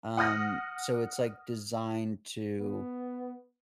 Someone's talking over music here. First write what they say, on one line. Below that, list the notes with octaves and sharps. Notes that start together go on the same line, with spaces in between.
um, so it's, like, designed to,
F#5 D#6 F6 A#6
B3